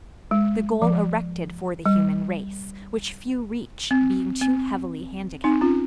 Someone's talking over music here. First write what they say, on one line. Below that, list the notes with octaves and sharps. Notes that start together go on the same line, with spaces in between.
The goal erected for the human race, which few reach, being too heavily handicapped.
G#3
F3
G3
C4
C4
C4 D#4
C#4 F4